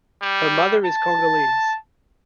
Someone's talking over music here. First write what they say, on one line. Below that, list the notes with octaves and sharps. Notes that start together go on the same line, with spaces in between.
Her mother is Congolese.
G3
A5